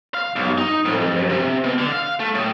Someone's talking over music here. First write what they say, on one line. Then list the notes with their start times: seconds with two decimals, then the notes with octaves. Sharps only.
moti motivated.
0.14 F5
0.36 B1
0.58 D#4
0.85 F2
1.29 C3
1.64 B2
1.78 D3
1.92 F5
2.20 A3
2.35 A2